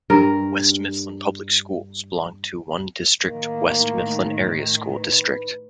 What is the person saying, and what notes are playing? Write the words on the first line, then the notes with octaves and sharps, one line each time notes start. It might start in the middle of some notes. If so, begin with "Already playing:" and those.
West Mifflin public schools belong to one district-West Mifflin Area School District.
G2 A#4
A2 D#3 A#3
B4